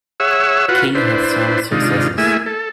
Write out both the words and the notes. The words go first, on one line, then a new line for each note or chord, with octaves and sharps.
King had some successes.
G#4 C#5 E5 F#5 E6
F4 F#4 B4 F#5
D4 E4 B4 C5
C3 D#3 G#3 D4 D#4 F4
A3 A#3 E4 G#4 E5 G#5
A4